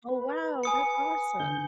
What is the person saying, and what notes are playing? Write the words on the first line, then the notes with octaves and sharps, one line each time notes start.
Oh wow, that's awesome.
B4
G#5 D#6 C#7
D3 G6